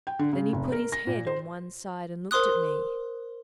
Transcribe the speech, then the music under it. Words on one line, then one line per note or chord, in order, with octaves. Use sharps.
Then he put his head on one side, and looked at me.
G5
D3
C#3
F1
A#4
A#6
A#2
C5
A#4 C5 C6 D#6 F#6